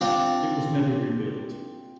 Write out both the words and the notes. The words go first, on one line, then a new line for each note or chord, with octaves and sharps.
It was never rebuilt.
C4 D4 F4 D5